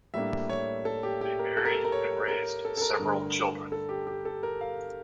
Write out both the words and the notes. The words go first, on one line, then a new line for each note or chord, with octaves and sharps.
They married and raised several children.
A2 G3 A#3 D4 E5
C#5
A4
G4
G4
A#4
A4
A#4
A4
A#4
C#5
A#4
A4
A4
A#4
G2 D3 A3
A4
G4
G4
A4
A#4
F5